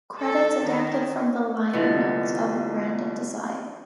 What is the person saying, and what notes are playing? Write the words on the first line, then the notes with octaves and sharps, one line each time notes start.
Credits adapted from the liner notes of "Random Desire".
A4
D#3
C2 D3 E3 B3 F4 D#5 A6